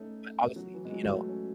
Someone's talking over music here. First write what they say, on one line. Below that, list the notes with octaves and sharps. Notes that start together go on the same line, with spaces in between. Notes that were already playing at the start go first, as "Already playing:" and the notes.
but obviously, you know,
Already playing: A3 C#4 D#4
F#3
E3
G#3
F#3
A3
C#4